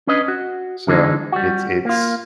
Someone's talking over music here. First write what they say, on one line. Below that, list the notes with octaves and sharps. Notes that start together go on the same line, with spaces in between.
So, it's it's
C#4 D4 B4 D#5
F#4
F#2 D3 E3 G3 G#3 D#4
G3 F#4
A#3 F4